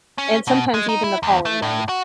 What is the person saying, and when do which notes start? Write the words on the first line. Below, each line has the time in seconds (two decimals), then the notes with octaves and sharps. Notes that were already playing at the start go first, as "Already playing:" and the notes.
and sometimes even the following day.
0.18 C#4
0.47 B2
0.74 G#3
0.89 D#4
1.04 E4
1.23 E2
1.45 A3
1.62 A2
1.89 F#4